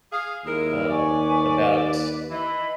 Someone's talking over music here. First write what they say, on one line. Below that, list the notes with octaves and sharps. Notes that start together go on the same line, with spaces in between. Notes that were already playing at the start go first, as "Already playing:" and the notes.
um, about
G#4 F5
D#2 G#3 E4 A#4
B4 D5 G#5 C#6
B4
E3 D#5 B5